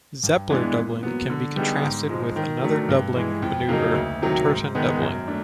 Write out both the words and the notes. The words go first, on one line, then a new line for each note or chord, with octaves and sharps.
Zepler doubling can be contrasted with another doubling manoeuvre, Turton doubling.
G2
E3 G#3 B3 D4
A#2
F#3 B3
D3
G3 B3 D#4 G#4
G#2
F3 G#3
D#3
F#3 A3 D4
G2
E3 G#3
F2
C#3 F#3 A#3 D#4
D2
C3 D#3 F#3
G#2
D#3 G#3 B3 D#4
F#2
A3 D4